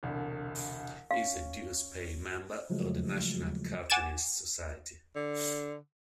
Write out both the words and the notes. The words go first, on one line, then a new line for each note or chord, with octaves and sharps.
He is a dues-paying member of the National Cartoonists Society.
E1 C2 D3
C#4 F5
C#3 F3 F#3 G#3 A3
F#5 G#5 D6 G#6 A6 E7
D3